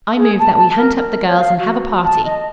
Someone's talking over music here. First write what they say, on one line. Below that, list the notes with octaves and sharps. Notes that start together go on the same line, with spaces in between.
I move that we hunt up the girls and have a party.
G#4
A5
A5
A#4
A#4
C#5
F5
F#4
A5
D#5